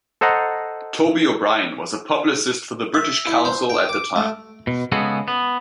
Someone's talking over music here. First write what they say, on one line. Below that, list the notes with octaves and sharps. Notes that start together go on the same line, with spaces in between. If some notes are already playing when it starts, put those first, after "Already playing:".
Toby O'Brien was a publicist for the British Council at the time.
A4 C5 D#5 F#5 A#5
E5
E4
C5
G5
D6
A3
B2
C#3 G#3 B3 F#4 G#4 A4
B3